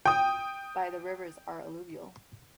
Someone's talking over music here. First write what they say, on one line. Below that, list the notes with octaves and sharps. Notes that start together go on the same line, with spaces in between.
By the rivers are alluvial.
G5 D#6